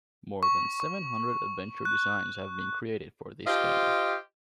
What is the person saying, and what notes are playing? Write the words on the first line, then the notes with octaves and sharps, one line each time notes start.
More than seven hundred adventure designs have been created for this game.
C#6
C#6
F#6
F4 G4 C5 D#5